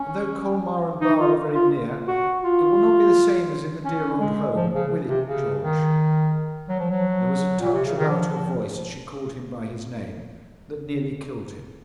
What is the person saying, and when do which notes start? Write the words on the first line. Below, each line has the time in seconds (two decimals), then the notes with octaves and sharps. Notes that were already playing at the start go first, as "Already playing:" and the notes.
And though Colmar and Basle are very near, it will not be the same as in the dear old home;--will it, George?' There was a touch about her voice as she called him by his name, that nearly killed him.
Already playing: C#4
1.01 D#4
1.19 F4
1.55 F4
2.08 F#4
2.43 F4
3.85 C#4
4.20 G#3
4.55 F3
4.74 C#3
5.08 C3
5.27 C#3
5.62 D#3
6.69 F#3
6.79 F3
6.91 F#3
7.60 A#2
7.72 C3
7.85 C#3
7.98 D#3
8.09 F3